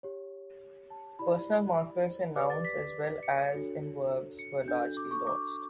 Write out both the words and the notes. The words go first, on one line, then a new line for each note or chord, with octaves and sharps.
Personal markers in nouns as well as in verbs were largely lost.
G4 C#5
A5
E4 G4 D5 B5
G4 B4 D5 D6
A6
B6
C#7
D4 F#4 A4 C#5
C#7
D4 F#4 A4 G6
D6
C#6
D6